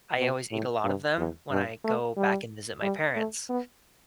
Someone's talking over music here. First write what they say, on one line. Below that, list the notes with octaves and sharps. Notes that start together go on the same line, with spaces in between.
I always eat a lot of them when I go back and visit my parents,
B2
A2
G2
E2
G2
A3
G3
G3
A3
B3